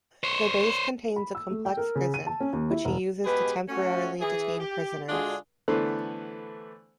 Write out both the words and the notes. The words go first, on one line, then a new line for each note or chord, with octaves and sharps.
The base contains a complex prison, which he uses to temporarily detain prisoners.
C5 C#5
B5
E6
A3
G5
A#4
C#3
D#7
A5
C#4
D#2
E4
E1
B2 G#3 G4 G#4 B4
A3 C#4 F#4
E3 G#4
G4
D3 G#3 D4 F4 F#4 G#4
D3 E3 A3 B3 B4 C5